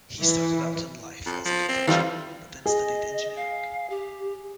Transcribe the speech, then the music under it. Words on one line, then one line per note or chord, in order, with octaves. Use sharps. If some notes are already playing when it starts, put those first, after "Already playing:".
He started out in life as a confectioner, but then studied engineering.
E3
F2
F3
C4
F2 E3 G3 F4
G#4 D#5
F5
G4